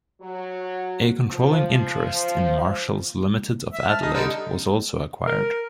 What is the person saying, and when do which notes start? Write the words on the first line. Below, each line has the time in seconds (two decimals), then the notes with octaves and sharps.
A controlling interest in Marshall's Limited of Adelaide was also acquired.
0.22 F#3
1.29 F3
3.73 E5
3.89 A5 F6
4.02 D#4 G#4 D#5
4.13 D3 G3 D#4
5.27 A#4